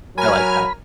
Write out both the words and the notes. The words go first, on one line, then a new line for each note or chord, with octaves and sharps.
I like that.
F#3 A#4 G#5 B5 F6